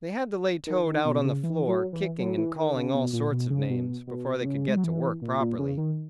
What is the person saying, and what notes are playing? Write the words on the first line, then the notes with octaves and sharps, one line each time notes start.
They had to lay Toad out on the floor, kicking and calling all sorts of names, before they could get to work properly.
D#3
D#3
B2
C#3
E3
F#3
E3
F#3
E3
D#3
C#3
B2
A#2
B2
C#3
B2
B2
B2
C#3
G#3
F#3
E3
A#2
A#2
C#3
D#3